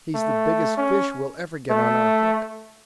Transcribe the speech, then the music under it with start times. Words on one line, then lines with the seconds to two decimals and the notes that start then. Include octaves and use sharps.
"He's the biggest fish we'll ever get on our hook."
0.15 A3
0.77 C#4
1.70 A3